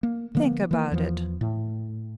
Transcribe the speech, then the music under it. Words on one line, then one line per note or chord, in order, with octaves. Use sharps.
Think about it.
A#3
D3 F3 A#3 B3
E3 A#3
E2 E3 F3
A2